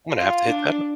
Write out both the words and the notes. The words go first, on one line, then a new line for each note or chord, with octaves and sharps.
I'm gonna have to hit that up.
F4
D4